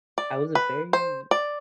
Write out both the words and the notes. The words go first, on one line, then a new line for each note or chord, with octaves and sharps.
I was a very,
D5
B4
C5
D5